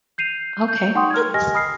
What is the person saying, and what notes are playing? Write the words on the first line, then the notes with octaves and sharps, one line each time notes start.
Okay, that's
G6 C7 D#7 F7
G6
D#4 F#5 G5 C6 C#6 D#6
F6 G#6
G4 D#5 G#5 F6 A#6
B5 D#6 F6 C7